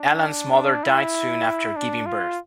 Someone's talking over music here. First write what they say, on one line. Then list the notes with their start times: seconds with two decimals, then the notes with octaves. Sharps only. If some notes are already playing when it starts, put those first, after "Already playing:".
Allan's mother died soon after giving birth.
Already playing: D4
0.83 E4
1.76 D4
2.06 F4